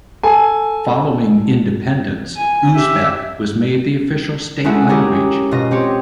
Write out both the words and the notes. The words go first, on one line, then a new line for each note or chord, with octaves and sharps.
Following independence, Uzbek was made the official state language.
A4 G#5
G#5
G4 E5
G#3 A3 C#4 E4 F#4 G#4
E4 G4 G#4 A#4 C#5
B2 F4 D#5 A#6
C4 G4 C#5